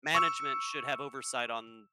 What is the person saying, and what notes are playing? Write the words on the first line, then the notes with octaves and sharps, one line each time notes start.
Management should have oversight on
C#6 E6